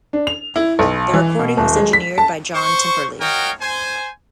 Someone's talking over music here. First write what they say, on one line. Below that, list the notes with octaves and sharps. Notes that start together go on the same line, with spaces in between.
The recording was engineered by John Timperley.
D4
F7
E4
B1
E3
B2
D#1
G#3
B6
A5
C5 C#6
F#4 A#4 C#5 D#5 F5 G5
C5 G#5